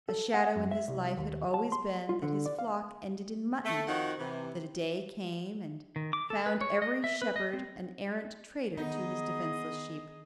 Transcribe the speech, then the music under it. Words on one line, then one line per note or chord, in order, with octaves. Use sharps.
A shadow in his life had always been that his flock ended in mutton--that a day came and found every shepherd an arrant traitor to his defenseless sheep.
A4
F#5
F#2
E5
C2
D#2
A5
C6
F4
D3
D5
F5
A3
F2 D#3 F3 D#4 F#4 F#5
C3 E3
D#3
D6
A4
B4
C#5
D#5
E5
B4
D#5
C4
D#3 B3 D#4 G#4 D#5